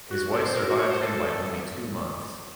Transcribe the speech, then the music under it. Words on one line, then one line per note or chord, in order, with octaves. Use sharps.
His wife survived him by only two months.
F#4
A4
C5
A#4
F#4
C#5
C5
A4